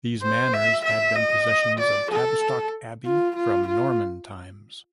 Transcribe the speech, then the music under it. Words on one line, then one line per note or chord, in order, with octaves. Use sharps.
These manors had been possessions of Tavistock Abbey from Norman times.
C5
E5
E5
D#5
D5
A4
F4
F4
F4